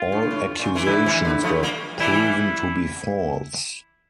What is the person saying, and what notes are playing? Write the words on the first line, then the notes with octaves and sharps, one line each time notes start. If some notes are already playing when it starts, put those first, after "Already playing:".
All accusations were proven to be false.
Already playing: F4
G2
G2
A2
A#2
E3
D3 E4
C3 E3
D3
F3 A3
G3 A#3
E3 G3 E4